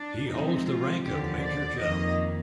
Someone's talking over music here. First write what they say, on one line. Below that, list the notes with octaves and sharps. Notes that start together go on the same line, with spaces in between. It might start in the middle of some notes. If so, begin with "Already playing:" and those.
He holds the rank of Major General.
Already playing: D4
C3 F3 G#3 C4 D#4
F4
D#2 D3 F3 G4
D5
F2 D#3 A#3 D#5